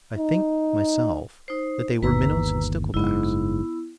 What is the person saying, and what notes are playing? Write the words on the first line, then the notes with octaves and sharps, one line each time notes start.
I think, myself, that they were minnows and sticklebacks.
D#4
D#4 C5
G1 D#2 B4 A#5 E6
F#1 G#2 B3 E4